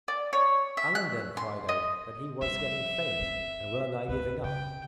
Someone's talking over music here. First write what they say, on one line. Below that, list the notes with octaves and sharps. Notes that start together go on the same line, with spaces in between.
Allen then cried out that he was getting faint and well-nigh giving up.
D5
C#5
E5
F#6
C6
D#5
F3 G3 E5
D#3 C4
C#2 F#2 B4
C#3 G5